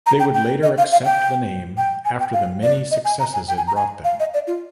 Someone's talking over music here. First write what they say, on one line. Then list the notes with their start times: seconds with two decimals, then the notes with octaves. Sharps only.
They would later accept the name after the many successes it brought them.
0.06 A#5
0.20 G5
0.34 G5
0.63 D#5
0.78 F5
0.92 F5
1.05 G5
1.78 G5
2.05 G#5
2.20 G5
2.33 F5
2.63 D5
2.91 D#5
3.05 G#5
3.20 A#5
3.34 G#5
3.48 G5
3.57 G#5
3.67 A#5
3.76 G#5
4.04 F5
4.20 D#5
4.34 D5
4.47 F4